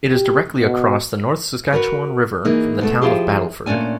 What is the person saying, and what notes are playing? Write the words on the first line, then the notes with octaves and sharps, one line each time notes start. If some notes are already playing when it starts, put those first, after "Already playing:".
It is directly across the North Saskatchewan River from the Town of Battleford.
G4
B2
F#4 G4 A#4 B4
E3 A#3 D#4 G#4
B2 A3 A4
F3 E4 F4 G4 G#4
A#2 A3 C#4 D4 G#5